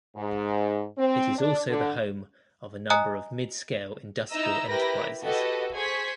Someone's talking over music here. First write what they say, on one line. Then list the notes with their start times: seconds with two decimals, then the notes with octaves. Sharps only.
It is also the home of a number of mid-scale industrial enterprises.
0.17 G#2
0.98 C4
1.38 D4
1.68 D3
2.90 D#5 G#5 A#5 D#6 F#6
4.32 D#4 E4 D#5 A#5 E6
4.68 E4 G4 A#4 B4 B5 A#6
5.22 F#4 G4 A4 B4 D#5
5.74 G#4 C5 G#5 C#6 G#6 B6